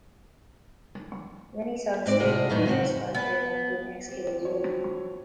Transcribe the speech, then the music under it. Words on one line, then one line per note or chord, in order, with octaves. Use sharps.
Many sites dating from this time period have been excavated.
G#2 C4 D5
A2 C3 F4 G#4 D#5 F#5
F#2 A2 D#3 B3 D#4
F2 C#3 F3 C4 F#5
B3
C4 G4
F3 F#3 C#5